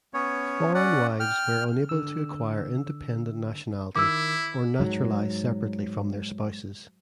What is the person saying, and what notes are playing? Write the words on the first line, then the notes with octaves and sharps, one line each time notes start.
Foreign wives were unable to acquire independent nationality or naturalize separately from their spouses.
B3 C#4 C#5
C#4 D5 F#5
G5 F6
D3 E6
D#3 E4 D6 E6
G#2 F#3